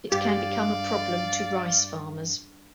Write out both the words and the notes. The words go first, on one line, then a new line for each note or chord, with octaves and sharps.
It can become a problem to rice farmers.
G2 G4 D5 F5